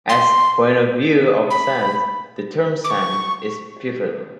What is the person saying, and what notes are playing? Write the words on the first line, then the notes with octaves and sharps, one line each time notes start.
As "point of view of the Sants", the term "Sant" is pivotal.
C6
B5
D6
C#6